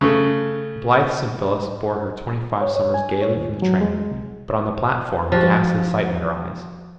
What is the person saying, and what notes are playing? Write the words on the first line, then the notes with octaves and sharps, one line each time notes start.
The blithesome Phyllis bore her twenty-five summers gayly from the train, but on the platform a ghastly sight met her eyes.
C#3 A3
C#5
C#5
G#5
C#5
D#2
F#3
G#3
C2
F3 F#4 G4